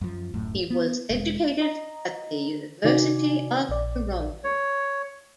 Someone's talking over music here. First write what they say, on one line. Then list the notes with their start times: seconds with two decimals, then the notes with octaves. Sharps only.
He was educated at the University of Toronto.
0.01 F#2 F3
0.34 D1 F#2 A2
0.70 B3
1.10 E1 C3 G#3
1.61 D#5 A#5
2.84 C3 D#3 D#4 F#4 D5 G#5
3.69 A#1 D5
4.44 C#5